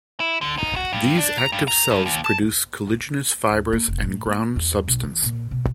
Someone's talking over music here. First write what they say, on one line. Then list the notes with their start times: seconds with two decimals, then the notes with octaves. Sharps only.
These active cells produce collagenous fibers and ground substance.
0.20 E4
0.41 D3
0.58 D#4
0.76 F#4
0.93 G2
1.18 D4
1.38 A#5
1.52 G2
1.68 A#5
1.91 G2
2.06 D#2
2.25 A5
3.51 D2
3.73 A#3
3.88 F1
4.03 A2
4.26 A#3
4.56 E2
4.88 B1
5.03 E3
5.24 A#2
5.51 B2